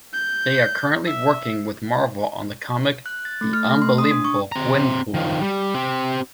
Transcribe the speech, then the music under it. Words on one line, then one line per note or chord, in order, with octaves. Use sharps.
They are currently working with Marvel on the comic "The Unbelievable Gwenpool".
G6
E5
F#6
A6
A3
F6
A3
C6
D#6
D4
C#6
C4 A#5
D#3 F3
G3
C4 G4